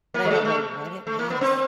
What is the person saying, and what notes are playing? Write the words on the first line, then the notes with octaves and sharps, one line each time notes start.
and I don't know what it was
A#3
G3
G#3
A3
A3
A#3
B3
C4